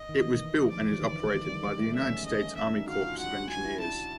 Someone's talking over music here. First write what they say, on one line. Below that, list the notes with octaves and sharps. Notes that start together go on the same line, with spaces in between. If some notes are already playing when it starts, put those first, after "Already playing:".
It was built and is operated by the United States Army Corps of Engineers.
Already playing: D#5
D#3
E3
D#3
F3
F3 D5
E3
D#3
D3
D#3
G3
G#3
A3
C#4 E5
D#5
C#4 E5
D4
D#4
F#4 F5
F4
F#4 F#5
F#4 G#5
E4
D4 A5
F#4